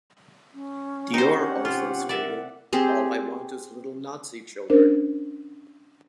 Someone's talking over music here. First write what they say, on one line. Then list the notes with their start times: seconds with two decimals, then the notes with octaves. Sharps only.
Dior also stated, All I want is little Nazi children.
0.54 C#4
1.14 C4 D#4 G4 C5 F#5
1.65 C3 F4
2.09 A#4 D5 E5
2.73 C4 G4 G#4
4.70 C#4 D4 A#4 C5